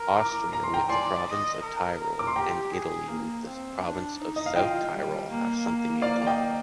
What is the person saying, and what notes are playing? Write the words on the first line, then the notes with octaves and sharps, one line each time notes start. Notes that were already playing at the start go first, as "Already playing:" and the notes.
Austria with the province of Tyrol and Italy with the province of South Tyrol have something in common.
Already playing: A#4
A#5 D6
A#5
C6
G5 A#5
D5 G#5 C6
D#5
A#4
D6
C6
G4 G5 A#5
G#4
A#3
C4
D4
D#4
D#5
F5
F4 D#5 G5
G3
A#3
D5 F5
D#5 G5